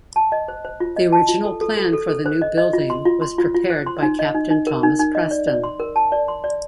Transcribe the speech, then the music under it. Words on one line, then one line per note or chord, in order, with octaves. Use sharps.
The original plan for the new building was prepared by Captain Thomas Preston.
A5
D#5
C5
C5
F4
D#5
A5
F4
A4
A4
A4
A4
A4
C5
D#5
D#5
F4
C6
F4
C6
F4
F4
C5
C6
D#4
D#5
D#4
D#4
A#4
D#4
D#4
D#5
D5
D5
C6
A#4
A5
D5
C6
D5